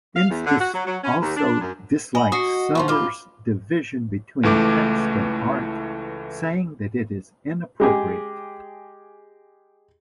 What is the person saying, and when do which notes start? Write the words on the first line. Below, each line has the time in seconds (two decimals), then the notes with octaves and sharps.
Enstice also dislikes Sommer's division between text and art, saying that it is "inappropriate".
0.16 F5
0.30 E2
0.45 D3
0.60 F#4
0.73 F#3
0.86 F#3
1.03 C#4
1.22 D#2
1.36 D4
1.61 F#2
2.15 D#5 G#5 B5 F#7
2.32 F#4 D#5 D#6 C7 C#7
2.75 E2 E3 F3 C6 C#6
2.88 G#2 F4 B5 D6 F6
4.43 C#2 E3 A3 D6
7.80 G#3 G4 G#4